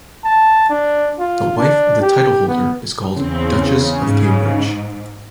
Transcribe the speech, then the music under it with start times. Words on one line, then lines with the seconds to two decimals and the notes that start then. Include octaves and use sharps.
The wife of the titleholder is called "Duchess of Cambridge".
0.24 A5
0.70 D4
1.19 F4
1.57 D4
2.02 G4
2.48 B3
3.16 E2 C#3 C4
4.05 G#2